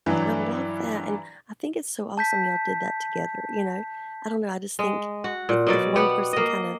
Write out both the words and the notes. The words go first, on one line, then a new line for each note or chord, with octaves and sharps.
I love that, and I think it's so awesome y'all did that together, you know? I don't know, I just think if if one person kinda
G2 E3 F#3 D4
A5 G6 B6
G#3
F#4
A#2
B2 F#3 D5
B3 G4 F#5
A#3 D#5